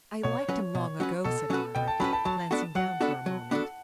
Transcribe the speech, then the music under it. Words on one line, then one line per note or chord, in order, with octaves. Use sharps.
'I liked him long ago,' said Margaret, glancing down for a moment.
B2 C#5
F#3 C#4 F#4 B4
B2
F#3 C#4 F#4 B4
B2 A4
F#3 C#4 F#4 B4
B2 G5
A5
F#3 C#4 F#4 B4 B5
A5
F#3 A5
B3 D4 F#4 A4
F#3 F#5
B3 D4 F#4 A4
F#3
B3 D4 F#4 A4